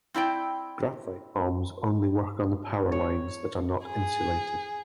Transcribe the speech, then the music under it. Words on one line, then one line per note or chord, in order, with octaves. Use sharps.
Graphite bombs only work on power lines that are not insulated.
C4 E4 D5 G5
C#5
G#4